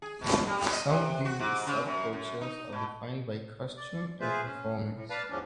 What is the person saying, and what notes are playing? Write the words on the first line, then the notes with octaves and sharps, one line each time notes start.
Some of these sub-cultures are defined by costume and performance.
G#4
B2
G3
D#5
C3
F#4
G#2
C#3
F#2
F#2
D#4
B2
D5
F4 G#4 B4 C5 E5
C#4
A2
B4 D5 F5 A5
E2 G#2 F3 C#4 D4